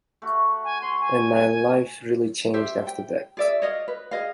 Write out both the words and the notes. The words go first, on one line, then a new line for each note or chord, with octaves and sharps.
And my life really changed after that.
A3 F#4
G#5
C#5 C6
G#5
C#4 G4 C5 E5
G5
G#4 D5 E5
C#5 D#5 F5
B4
G#4 D#5 F5